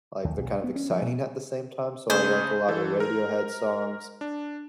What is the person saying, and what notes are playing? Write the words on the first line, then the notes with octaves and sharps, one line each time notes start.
like, they're kind of exciting at the same time. So, I like a lotta Radiohead songs,
D#2
B1
B3
C#4
F3
B2
C#3 A3 G#4 C5
E3 A4
A#4
D4